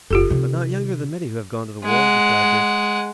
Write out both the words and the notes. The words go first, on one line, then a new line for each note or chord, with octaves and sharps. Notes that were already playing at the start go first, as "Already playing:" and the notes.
"But not younger than many who have gone to the war," replied Dick.
F#1 F4 G4 A4
C3 D#3
G#3 F#5